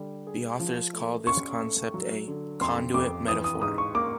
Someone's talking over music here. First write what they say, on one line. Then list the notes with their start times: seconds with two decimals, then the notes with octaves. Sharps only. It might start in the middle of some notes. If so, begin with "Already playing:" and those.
The authors call this concept a "conduit metaphor".
Already playing: D3 G3
0.27 G#4
0.59 F3
0.93 A3
1.27 C#4 C#6
1.60 A3
1.94 F#3
2.28 D3
2.61 F2 C6
2.94 F2 D6
3.28 E3 D#6
3.44 D#6
3.61 G#2 D#6
3.78 C#6
3.95 A#3 D6